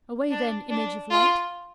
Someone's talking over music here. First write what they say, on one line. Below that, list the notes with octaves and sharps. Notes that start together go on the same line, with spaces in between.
Away, then, image of light!
D4
D4
F4